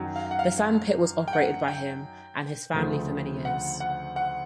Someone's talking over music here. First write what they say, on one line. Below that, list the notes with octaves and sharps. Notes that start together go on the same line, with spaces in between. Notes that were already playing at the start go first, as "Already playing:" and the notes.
The sand pit was operated by him and his family for many years.
Already playing: F#2 D#3 F#3
F5
F#5
F5
G5
F#5
G5
D2 C#3 F3 A3
F#5
F#5
F#5